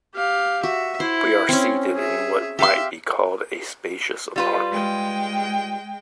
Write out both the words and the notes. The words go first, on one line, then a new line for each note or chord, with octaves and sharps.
We are seated in what might be called a spacious apartment.
G4 F5
F#4 E5
E4 C5
C4 C#4
G#4 E5
G4 E5 F5 C6
G3 F4 B4
G#3 G5